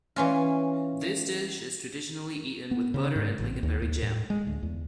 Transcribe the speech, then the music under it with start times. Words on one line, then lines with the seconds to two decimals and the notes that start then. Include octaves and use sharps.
This dish is traditionally eaten with butter and lingonberry jam.
0.16 E3 C#4 F4
2.71 B3
2.94 C#3
3.16 G#2
3.39 A1
3.63 D#2
3.82 D#2
4.02 A2
4.30 G#3
4.47 D2
4.63 E2